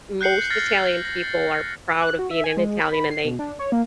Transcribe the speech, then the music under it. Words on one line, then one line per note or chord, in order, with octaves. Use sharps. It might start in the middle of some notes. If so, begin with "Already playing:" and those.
most Italian people are proud of being an Italian and they
F#6 G6 C7 C#7 F#7
F6 A6 A#6 C7
A#6
F#6
F#4
E5
G#5
G#3
B5
B5
C7
B2
D4
C#5
A#3